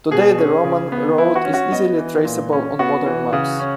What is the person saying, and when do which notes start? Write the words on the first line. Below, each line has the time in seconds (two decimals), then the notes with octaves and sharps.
Today the Roman road is easily traceable on modern maps.
0.11 B2 G#4
0.38 C#4
0.64 C#3
0.92 B3
1.18 E3 E4
1.36 F#4
1.45 C#4
1.54 F#4
1.72 B3 D#5
1.98 E3
2.25 A#2
2.53 C#4
2.79 B3 F#4
3.06 E3
3.33 C#3
3.59 C#4